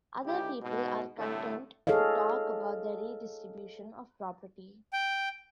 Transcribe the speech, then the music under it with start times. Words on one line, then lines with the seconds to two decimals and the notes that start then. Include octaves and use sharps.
Other people are content to talk about the Redistribution of Property.
0.24 C#2 D3 E4 G4
0.62 G#2 B2
1.18 C2 A2 D3 A3
1.87 G#4 A4 C#5 D#5 F5
4.93 G5